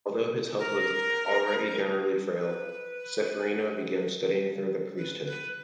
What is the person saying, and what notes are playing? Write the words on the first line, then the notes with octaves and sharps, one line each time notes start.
Although his health was already generally frail, Ceferino began studying for the priesthood.
A#4
B4
B4
B4